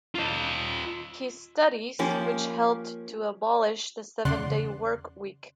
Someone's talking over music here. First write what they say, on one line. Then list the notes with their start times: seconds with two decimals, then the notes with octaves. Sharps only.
His studies which helped to abolish the seven-day work week.
0.15 F4 D#5
1.99 F3 A#3 C#4 G4
4.25 E2 C#3 D5 F#5 C6 F#6